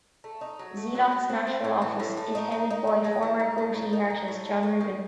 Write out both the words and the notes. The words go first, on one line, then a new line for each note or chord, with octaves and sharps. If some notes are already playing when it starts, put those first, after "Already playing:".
Zealot's Nashville office is headed by former Gotee artist John Reuben.
A3
D#4
F#3
A3
F#3
F#3
C4
C4
A2
E3
A2
A3
D#4
D#4
D#4
D#4
G#3
E3
D#4
A2
A2
D#4
D#4
A2
A3
A3
D#3